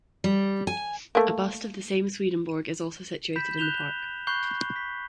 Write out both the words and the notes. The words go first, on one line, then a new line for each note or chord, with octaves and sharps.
A bust of the same Swedenborg is also situated in the park.
G3
G#5
A3 A#3
B5 G6 B6 E7
F#6 G6 E7 F7 G7
B5 C#6 F#6 G6 C7 G7
B6